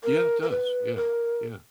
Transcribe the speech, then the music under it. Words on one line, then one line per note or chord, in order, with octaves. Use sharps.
Yeah, it does, yeah, yeah,
A#4
A#4
B4
A#4